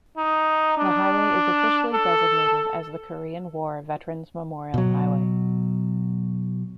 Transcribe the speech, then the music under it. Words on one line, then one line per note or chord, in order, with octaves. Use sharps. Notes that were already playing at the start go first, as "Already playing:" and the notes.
The highway is officially designated as the Korean War Veterans' Memorial Highway.
D#4
D4
A4
B2 F#3